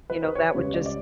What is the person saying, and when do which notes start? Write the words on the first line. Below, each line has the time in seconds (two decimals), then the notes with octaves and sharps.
you know, that would just
0.10 B4
0.24 B4
0.35 C#5
0.38 B4
0.53 C#2 C#3 G3 C#5
0.74 D5
0.86 D5